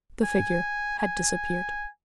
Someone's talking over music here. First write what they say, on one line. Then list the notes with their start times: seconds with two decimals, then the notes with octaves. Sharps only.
The figure had disappeared.
0.23 G#5
0.99 G#5